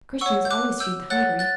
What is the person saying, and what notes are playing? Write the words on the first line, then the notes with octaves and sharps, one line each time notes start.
Christians always feed the hungry.
C#5 F#5 C#6 E6
G6
D6 F#6
E6 G6
C#5 F#5 F#6 A6
F#6 A6